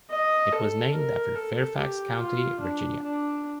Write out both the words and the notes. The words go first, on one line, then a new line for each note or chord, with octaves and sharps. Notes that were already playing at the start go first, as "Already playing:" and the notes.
It was named after Fairfax County, Virginia.
D#5
A4
A#4
A4
G4
F4
D4
D4